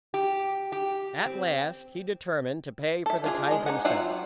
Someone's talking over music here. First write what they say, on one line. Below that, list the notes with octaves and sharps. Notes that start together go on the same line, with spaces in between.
At last he determined to pay for the type himself.
G4
G4
C4
A4 E5
D4 F4 G#4
G#3 D#5
D#4 F#5
F#3 F4 E5 F#5 G5